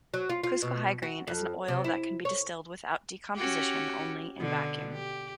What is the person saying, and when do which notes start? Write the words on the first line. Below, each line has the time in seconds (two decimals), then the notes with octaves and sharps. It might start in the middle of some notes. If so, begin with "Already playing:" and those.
Cuscohygrine is an oil that can be distilled without decomposition only in vacuum.
0.14 F#3
0.29 F4
0.43 F4
0.62 B2
1.02 F#4
1.27 F2
1.68 C3
1.84 E4
2.25 C#5
3.36 C#4 F#4 G4
4.37 B2 D3
4.93 G4